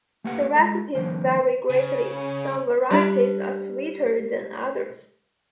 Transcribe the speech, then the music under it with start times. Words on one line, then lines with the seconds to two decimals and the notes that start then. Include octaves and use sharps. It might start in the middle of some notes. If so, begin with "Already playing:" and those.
The recipes vary greatly; some varieties are sweeter than others.
0.24 A3 A#3 G4 A4 B4 F#5
0.55 G#3 A4
0.95 D3 E3 F#3 A#3 C4 C#4
1.70 C#3
2.09 C#4
2.91 G3 D4 D5